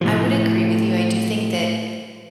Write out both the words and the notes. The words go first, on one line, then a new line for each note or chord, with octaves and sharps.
I would agree with you. I do think that th
A2 C3 F3